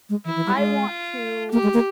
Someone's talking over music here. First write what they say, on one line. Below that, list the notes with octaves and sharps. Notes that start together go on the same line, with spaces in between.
I want to
G#3
E3 E4
E3
G3
G#3 F4
A#3 G4
G#3
A#3